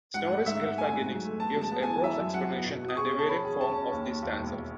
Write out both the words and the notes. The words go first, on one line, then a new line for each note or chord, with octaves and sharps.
Snorri's "Gylfaginning" gives a prose explanation and a variant form of these stanzas.
G#2 F#5
A3
G#2 E5
G#2
A3 G#5
G#2
F#3
A3
B3 A5
G#3
A5
B3
G#5
E3
E3 E5
F#2
F#2 F#5
B3
B2
B2
D#6
G#4 C#6
C#4
A5
C#4 B5
G#4
C#4 A5
C#4
D#2
D#2
D#2
E1